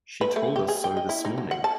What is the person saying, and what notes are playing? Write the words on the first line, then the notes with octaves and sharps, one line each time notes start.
She told us so this morning.
B4
A3
G4
G#4
G5
D#5
E4
D#4
F#3
F#5
A5